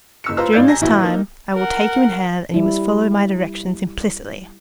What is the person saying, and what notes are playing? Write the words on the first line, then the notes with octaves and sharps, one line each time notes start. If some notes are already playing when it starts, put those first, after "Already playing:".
During this time I will take you in hand, and you must follow my directions implicitly.
F#1 E6 C#7
F4 B4 C5 A#5 E6
A1 G#2 D5 F5 G6 G#6
G#5 A#5 A#6
A#1 E3 E4 F#4
A#3 D#4
A#4 F#5
G3 E4